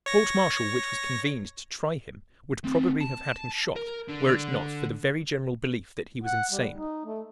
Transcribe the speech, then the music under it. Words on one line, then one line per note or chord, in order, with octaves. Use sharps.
The court-martial which was convened to try him would probably have had him shot were it not for the very general belief that he was insane.
C#5 A#6
A3 C4
A5
A#4
D3
F#5
G3
D#4
A3